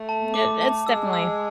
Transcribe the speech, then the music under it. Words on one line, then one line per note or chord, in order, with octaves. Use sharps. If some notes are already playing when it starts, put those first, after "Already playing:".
that that's definitely
Already playing: A3
A5
D6
A5
G#3 E6
E6